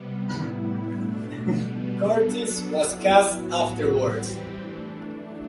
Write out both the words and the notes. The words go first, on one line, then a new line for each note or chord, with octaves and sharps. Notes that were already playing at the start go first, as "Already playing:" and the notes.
Curtis was cast afterwards.
Already playing: C3 G3 B3
A2 G3 B3 E4
B2 A3 D4
B2 G3 B3
F#3 B3 D4 A4
F#3 B3 E4
A2 F#3 B3 F#4
E3 G3 C4 G4
E3 A3 D4
F#3 A3 D4